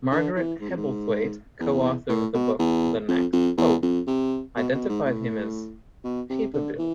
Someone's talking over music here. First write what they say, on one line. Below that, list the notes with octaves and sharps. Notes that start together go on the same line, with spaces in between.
Margaret Hebblethwaite, co-author of the book "The Next Pope", identified him as "papabile".
D3
E3
G#2
F2
G#2
E2
A2
B2
E2
F2
F2
E2
F2
C3
B2
B2
G#2
A2
B2
C3
D3
E3